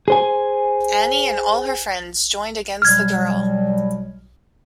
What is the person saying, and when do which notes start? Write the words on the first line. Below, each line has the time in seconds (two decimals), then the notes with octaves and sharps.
Annie and all her friends joined against the girl.
0.08 G#4 C5 G#5
2.82 B2 F#3 G3 F6 G#6